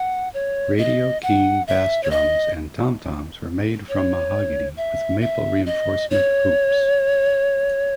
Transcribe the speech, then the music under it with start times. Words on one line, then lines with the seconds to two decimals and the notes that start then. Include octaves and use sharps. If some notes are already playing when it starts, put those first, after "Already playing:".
Radio King bass drums and tom-toms were made from mahogany, with maple reinforcement hoops.
Already playing: F#5
0.34 C#5
0.78 D#5
1.23 F#5
1.67 E5
2.03 C#5
2.11 D#5
3.89 C#5
4.77 E5
5.22 E5
5.66 D#5
6.10 C#5